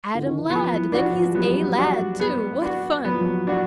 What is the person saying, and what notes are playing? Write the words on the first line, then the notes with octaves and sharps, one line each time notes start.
"Adam Ladd! then he's A. Ladd, too; what fun!"
D3
D#3
E3
F3 B3
E3
F3 D4 F#4
F3
G3
F#3 B3
D4 F#4
B3
D4 F#4
F#3 B3
F3
F#3
D4 F#4